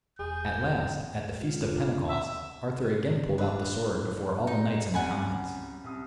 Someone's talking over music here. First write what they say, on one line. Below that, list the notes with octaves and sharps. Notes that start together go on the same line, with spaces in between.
At last, at the feast of Pentecost, Arthur again pulled out the sword before all the knights and the commons.
E1 G#4 G6
G#3 F4
D4 F4 A4
E5
A#1 G#3 D4 B4
D#4
C2 F#2 F#5 G#5 B5
C2 D#6